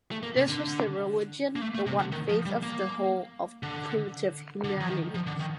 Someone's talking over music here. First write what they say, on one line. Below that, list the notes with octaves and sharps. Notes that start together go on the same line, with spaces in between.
This was the religion, the One Faith of the whole of primitive humanity.
A3
A#3
C3
D3
A#3
A3
A3
C3
D3
D#3
F3
G3
A#3
D3
D3
F3
D#3
F3
D3
D#3